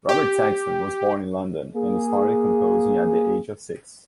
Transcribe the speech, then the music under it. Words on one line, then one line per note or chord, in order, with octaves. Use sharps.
Robert Saxton was born in London and started composing at the age of six.
G4
A#3 G#4